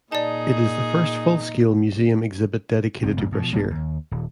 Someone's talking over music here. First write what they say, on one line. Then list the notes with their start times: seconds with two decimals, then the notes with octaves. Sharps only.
It is the first full-scale museum exhibit dedicated to Brashear.
0.12 A#2 D#4 G#4 D5 A5
3.03 F#1 C4
3.17 E1 A1 G2 A#3
3.32 B2 F3
3.53 B1 B2 G3 A#3
3.70 D#2
4.11 D#1